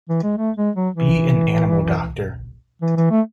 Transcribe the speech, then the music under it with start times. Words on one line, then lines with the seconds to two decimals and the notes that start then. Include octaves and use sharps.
Be an animal-doctor.
0.09 E3
0.23 G#3
0.37 A3
0.57 G#3
0.76 F#3
0.94 E3
2.82 E3
2.97 E3
3.11 A3